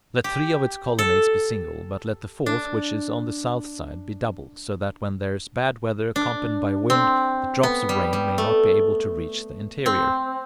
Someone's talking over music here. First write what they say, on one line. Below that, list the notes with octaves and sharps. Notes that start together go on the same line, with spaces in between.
Let three of its colonnades be single, but let the fourth, which is on the south side, be double, so that when there is bad weather accompanied by wind, the drops of rain may not be able to reach the interior.
G4
A4
D4
D4
C4
B3
G3
G3
A3
C4